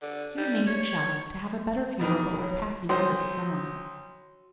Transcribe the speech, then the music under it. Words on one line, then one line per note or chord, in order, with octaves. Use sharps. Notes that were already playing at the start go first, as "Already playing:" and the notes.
He remained in shadow, to have a better view of what was passing under the sunlight.
D3
G3
C#5
F2 B2 D#3
C#5
B1 F#4 C5 C#5 C6